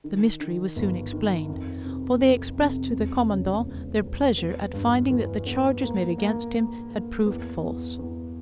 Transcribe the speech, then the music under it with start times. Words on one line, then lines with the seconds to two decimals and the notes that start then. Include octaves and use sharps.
The mystery was soon explained; for they expressed to the commandant their pleasure at finding that the charges made against him had proved false.
0.04 D#3
0.40 D#3
0.76 G1
1.13 D#3
1.49 F2
1.85 C3
2.21 F1
2.57 C3
2.93 E1
3.29 C#3
3.66 E1
4.01 E1
4.38 B3
4.73 G2
5.10 E3
5.46 B3
5.82 A#3
6.18 A#3
6.54 A#3
6.90 A#3
7.26 E2
7.63 E2
7.99 E2